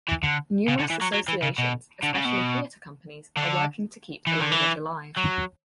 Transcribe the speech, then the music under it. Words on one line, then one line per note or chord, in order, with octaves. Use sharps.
Numerous associations, especially theatre companies, are working to keep the language alive.
E3
D3
C#3
D3
E3
F#3
F#3
E3
C#3
B2
D3
C#3
B2
D3
E3
D3
E3
F#3